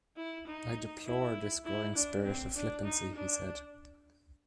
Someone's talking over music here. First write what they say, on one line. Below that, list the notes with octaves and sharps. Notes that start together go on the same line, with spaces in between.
"I deplore this growing spirit of flippancy," he said.
E4
D#4
E4
E4
D4
C4
D4
D#4
D4